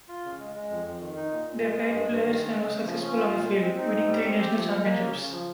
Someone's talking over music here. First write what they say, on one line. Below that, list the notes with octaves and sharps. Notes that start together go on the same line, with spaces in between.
They paid players and were successful on the field, winning three National Championships.
F4
C#3
G#3
G#3
F2
F2
D#3
D#4
A#2
A#2
G#3
G#3
G2
G2
D#3
G#3
C#3
C#3
F3
C#4
F4
A#2
G#3
C4
D#4
G#2
G3
C4
G4
F3
G#3
A#3
C#3
C#3
F3